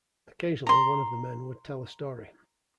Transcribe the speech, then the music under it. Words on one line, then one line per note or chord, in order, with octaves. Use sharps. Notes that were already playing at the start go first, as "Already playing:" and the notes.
Occasionally, one of the men would tell a story.
A#5 C6